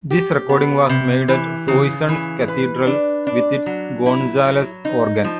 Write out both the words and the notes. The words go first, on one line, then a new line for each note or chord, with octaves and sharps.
This recording was made at Soissons Cathedral with its Gonzales organ.
G4
B3
C3
E3
C#3
E3
B4
D4
D4
F#3
E4
F#3
D#4
F3